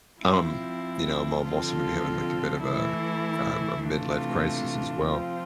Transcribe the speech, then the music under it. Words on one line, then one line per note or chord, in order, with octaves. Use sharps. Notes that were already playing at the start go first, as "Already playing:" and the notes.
um, you know, I'm I'm also gonna be having, like, a bit of a, um, a midlife crisis as well,
F3 C4 E4
D3 F3 C4 F4 A4
E3 A3 E4
C3 E3 A3 D4 F4
F3 C4 F4